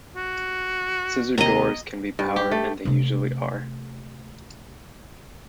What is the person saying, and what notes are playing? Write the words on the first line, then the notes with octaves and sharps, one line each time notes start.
Scissor doors can be powered and they usually are.
F#4
D#2 C3 A#3 D#5 A#5
G2
G4
A3
C3 A3